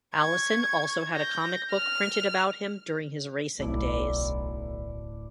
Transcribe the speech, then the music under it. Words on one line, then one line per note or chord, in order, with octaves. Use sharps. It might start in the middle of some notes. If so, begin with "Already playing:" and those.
Allison also had a comic book printed about him during his racing days.
C#6 G#6
G6 A#6
F6
D1 B1 A2 D4 E4 D5